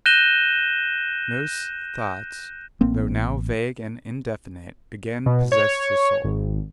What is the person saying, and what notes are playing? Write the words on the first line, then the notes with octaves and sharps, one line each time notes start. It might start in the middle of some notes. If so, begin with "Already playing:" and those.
And those thoughts, though now vague and indefinite, again possessed his soul.
F#6 G6 A#6 D#7 E7 G7
A1 A#3 C4
B2
C#5
G#1